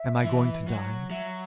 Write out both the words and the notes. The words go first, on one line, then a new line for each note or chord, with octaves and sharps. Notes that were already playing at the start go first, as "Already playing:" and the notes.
Am I going to die?
Already playing: E5
E3
F#3
F#3 E5